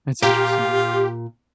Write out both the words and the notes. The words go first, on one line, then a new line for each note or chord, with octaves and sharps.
That's interesting.
A#2 F4 G4